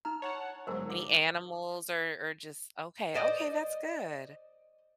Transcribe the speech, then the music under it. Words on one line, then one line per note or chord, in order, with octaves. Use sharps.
any animals? Or or just Okay, okay, that's good.
D#4 A#5 F6
C#5 F#5 A5
G1 G#2 F#3 A#4 C5
D6
C5 D5 D#5